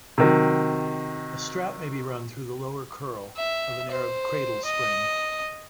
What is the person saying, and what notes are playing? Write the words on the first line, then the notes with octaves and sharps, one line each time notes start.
A strap may be run through the lower curl of an Arab cradle spring.
C3 D#3 F#3
E5
C5
D#5